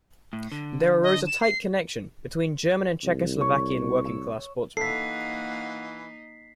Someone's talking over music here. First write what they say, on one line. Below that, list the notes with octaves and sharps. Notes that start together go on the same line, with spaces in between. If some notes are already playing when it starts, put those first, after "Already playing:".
There arose a tight connection between German and Czechoslovakian working-class sportsmen.
A2
D3
D#5
E7
C7
C2
C#5
E6
E3 A#3 D#4 F#4 A4 F5 B6 C7